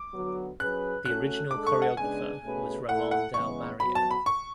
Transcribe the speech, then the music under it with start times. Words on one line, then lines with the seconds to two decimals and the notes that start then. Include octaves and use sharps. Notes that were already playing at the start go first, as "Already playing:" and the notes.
The original choreographer was Ramon Del Barrio.
Already playing: D6
0.14 D3 F#3 B3 F#4
0.60 F#3 C#4 G#4 B4 F#6
1.06 A3 C#4 F#4 A4 F#6
1.51 G#3 D4 A4 D6
1.67 C#6
1.82 F#5
1.97 C#3 G#3 B3 D4 G#4 G#5
2.43 B2 A3 C#4 G#4 B4
2.88 A3 E4 A4 F#5
3.11 F#5
3.34 C#3 E3 G#3 B3 C#6
3.80 F#3 B3 F#4 B5
3.95 A5
4.11 B5
4.26 C#6